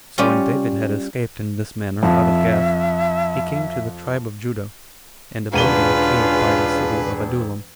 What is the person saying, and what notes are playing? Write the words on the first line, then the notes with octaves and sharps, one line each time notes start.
So when David had escaped in this manner out of Gath, he came to the tribe of Judah, and abode in a cave by the city of Adullam.
G3 C#4 F4 D5
F2 E5
E1 C#3 D4 F4 G#4 B4 D#7 G7